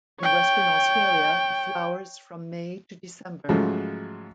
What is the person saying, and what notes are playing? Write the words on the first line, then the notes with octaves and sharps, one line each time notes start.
In Western Australia it flowers from May to December.
C#5 G5
G#2 C#3 F3 F#3 A3